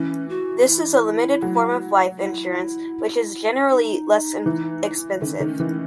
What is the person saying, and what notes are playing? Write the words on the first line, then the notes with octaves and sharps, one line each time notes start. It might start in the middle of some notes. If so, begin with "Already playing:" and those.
This is a limited form of life insurance which is generally less expensive.
Already playing: E3 C#4
F#4
E4
F#3
E4
D#4
E3
D#3 C#4
D#4
D#3
C#4
E3